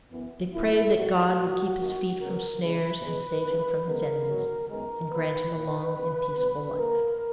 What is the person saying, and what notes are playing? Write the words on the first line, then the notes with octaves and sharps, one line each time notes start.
They prayed that God would keep his feet from snares and save him from his enemies, and grant him a long and peaceful life.
F#2 E3 B3
F#2 D#3 G#3 E4
G#2 D#3 F#3 A#3 F#4
A#2 A#3
F#2 D#3 A#3
C#3 F#3 B3 A#4
C#3 G#3 B3 B4
B2 G#3 B3
C#3 E3 A#3
C#3 G#3 B3 A#4
G#2 F#3 B3
F#2 D#3 G#3 B3 A#4
E2 D#3 A#3 B4
A#2 A#3
C#3 E3 A#3
B2 F#3 B3 B4
A#2 A#3 A#4